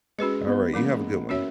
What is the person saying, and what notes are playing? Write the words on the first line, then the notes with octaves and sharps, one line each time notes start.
Alright, you have a good one.
G#3 C#4 F#4 B4 D#5
B3
E3 G#3 A#3 C#4
C#4 F#4 C#5 E5